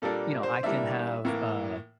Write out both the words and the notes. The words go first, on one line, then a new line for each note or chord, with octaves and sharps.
you know, I can have, uh
A#2 G3 A#3 D4 A4
C5
E3 G3 A#3 D4 E5
A2 E3 A#3